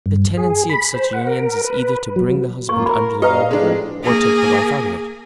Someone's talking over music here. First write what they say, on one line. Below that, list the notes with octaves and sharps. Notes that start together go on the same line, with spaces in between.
The tendency of such unions is either to bring the husband under the Rule, or take the wife out of it.
G2
G#4
B5
C5
F#5
A#4
B4
F#3
F#2 A#3 F4 C#6
A#4 B5
A#2 G4 B4 D#5 F5 A#5
F2 A2 G#3 D4
A#3 G#4